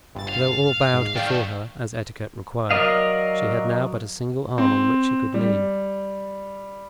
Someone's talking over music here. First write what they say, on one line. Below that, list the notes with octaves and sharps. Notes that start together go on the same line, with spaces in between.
Though all bowed before her, as etiquette required, she had now but a single arm on which she could lean.
G1 A6
F5
G#2
D#3 A3 D5 F5 G5
F#3 A#4 D5 D#5 F5
C4
G3